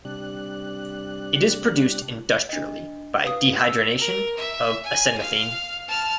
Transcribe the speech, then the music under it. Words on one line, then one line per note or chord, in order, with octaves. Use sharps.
It is produced industrially by dehydrogenation of acenaphthene.
C3 G3 D4 F#6
D4 D#5
B4 F5 D#6
E6 E7
A#4
E5
G#5
F5
A5 F6